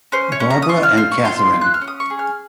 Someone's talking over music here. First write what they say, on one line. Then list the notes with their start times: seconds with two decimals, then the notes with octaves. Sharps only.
Barbara and Catherine.
0.12 C#4 C5
0.32 C#5
0.40 C#4
0.50 A#5
0.62 D#6
0.69 F4 C#6
0.83 F6
0.97 C4 F6
1.12 C#6
1.25 F4 C6
1.54 C4
1.61 F#6
1.74 F6
1.81 C#4
1.87 D#6
2.00 C#6
2.10 G#4
2.19 F6